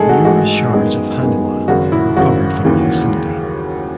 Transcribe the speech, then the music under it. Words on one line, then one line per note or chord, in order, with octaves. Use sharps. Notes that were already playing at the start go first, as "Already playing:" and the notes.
Numerous shards of "haniwa" were recovered from the vicinity.
Already playing: A1 G#2 D#3 G#3 G#4 A4
F#4
A1 G#2 D#3 G#3 F#4
F#2 D#3 G#3 B3 G#4
F#2 D#3 G#3 B3
G#1 F#2 C#3 F#4
E4
G#1 F#2 C#3 F#4
D#2 C#3 E3